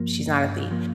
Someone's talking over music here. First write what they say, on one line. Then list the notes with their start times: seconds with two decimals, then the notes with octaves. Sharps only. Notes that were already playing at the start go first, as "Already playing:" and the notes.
she's not a thief.
Already playing: G2 F3 A#3
0.27 G2
0.71 F3 A#3